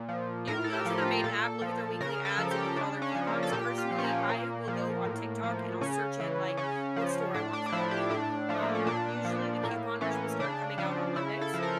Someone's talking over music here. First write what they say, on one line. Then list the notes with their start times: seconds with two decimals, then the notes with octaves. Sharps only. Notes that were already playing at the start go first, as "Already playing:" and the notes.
You can go to their main app, look at their weekly ads, and look at all their coupons, personally, I will go on TikTok, and I'll search in, like, what store I want for that week, um, usually, the couponers will start coming out on Mondays.
Already playing: A#2
0.09 F3
0.47 A2 A#4
0.64 A4
0.73 G4
0.85 F3
0.98 F4
1.24 A#2 A4
1.61 F3
2.01 C#3 A#4
2.25 A4
2.38 F3
2.51 G4
2.76 C#3 D4
3.02 C#4
3.15 F3
3.27 A#3
3.43 A4
3.52 A#2 G4
3.78 F4
3.91 F3
3.98 C#4
4.04 A#3
4.29 A#2 A#3
4.68 F3
5.05 A2
5.43 F3
5.81 C#3 C#4
6.20 E3
6.57 C#3 C#4
6.96 F3
7.34 A2 D4
7.53 D4
7.66 D4
7.72 F3 E4
7.91 G4
8.10 A2 D4
8.49 F3 A3
8.62 A#3
8.75 C#4
8.87 A#2 D4
9.25 F3
9.63 A2 A#3
10.01 E3 C#4
10.39 C#3 D4
10.78 F3
11.16 C#3 E4
11.41 A4
11.54 F3
11.62 A#4